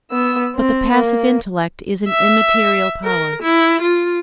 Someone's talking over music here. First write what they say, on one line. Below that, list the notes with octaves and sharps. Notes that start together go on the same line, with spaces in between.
But the passive intellect is an immaterial power.
B3 E6
C4
A#3
E5
A#4
E4
F4